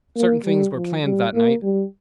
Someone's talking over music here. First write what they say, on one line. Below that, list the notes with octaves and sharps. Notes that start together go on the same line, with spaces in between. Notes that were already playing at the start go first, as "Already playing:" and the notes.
Certain things were planned that night.
A#3
G3
F3
G3
A#3
G3